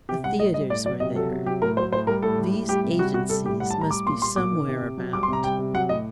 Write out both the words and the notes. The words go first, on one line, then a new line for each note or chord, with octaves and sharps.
The theatres were there--these agencies must be somewhere about.
C3 G4
G3 F#5
A2 D#5
G3 D#5
A2 D5
F#3 D5
C3 D#5
F#3 A4
C3
F#3 G4
A2 A#4
F#3 C5
A2 C5
G3 A#4
A2 A4
G3
A2
G3 G4
C3
G3 F#4
C3 F#4
G3 A4
A2 G4
G3 F#5
A5
A2
A#5
G3 D6
A#2 C6
G3 C6
A#2 D6
D#3
C3
C3
F#3
G3 D6
C6
C3 A#5
G3 G5
C3
F#3 F#5
A2 D#5